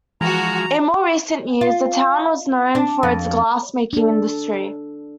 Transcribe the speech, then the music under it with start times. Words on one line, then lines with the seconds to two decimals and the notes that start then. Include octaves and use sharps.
In more recent years the town was known for its glass making industry.
0.21 E3 F3 G#3 F#4 A#5
1.61 F4
2.75 D4
3.03 F2
3.93 D4 A4